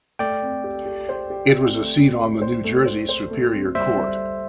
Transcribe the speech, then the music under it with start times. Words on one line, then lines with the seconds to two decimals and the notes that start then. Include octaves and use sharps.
It was a seat on the New Jersey Superior Court.
0.19 A3 D5 G5
0.42 C4
0.64 G4
0.86 G4
1.09 C5
1.30 G4
1.53 C4
1.75 A3
1.97 C4
2.19 A3
2.42 C5
2.64 A3
2.86 C5
3.09 C5
3.31 A3
3.53 C4
3.75 G3 C5 E5
3.97 G3